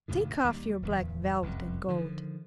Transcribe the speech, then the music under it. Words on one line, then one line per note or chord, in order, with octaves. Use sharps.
Take off your black velvet and gold!
G#1 D2 B2 D#3
D#2 G3
D1 E2
F1 C2 F#2
D3 D#3 F3